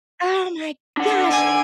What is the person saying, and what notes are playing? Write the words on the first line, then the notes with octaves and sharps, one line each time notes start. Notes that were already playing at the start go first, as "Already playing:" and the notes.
Oh my gosh.
D4 F#5
G#5